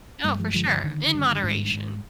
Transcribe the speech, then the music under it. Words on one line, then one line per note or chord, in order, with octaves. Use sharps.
Oh, for sure, in moderation.
G2 G3 A#3
F3 G#3
D3 F3 G#3
D3 F3
D3 D#3
G2
G#2
G#2